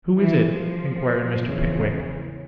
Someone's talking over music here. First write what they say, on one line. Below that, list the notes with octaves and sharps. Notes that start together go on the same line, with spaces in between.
'Who is it?' inquired Mr. Pickwick.
E3
F3
E2 C#3 E3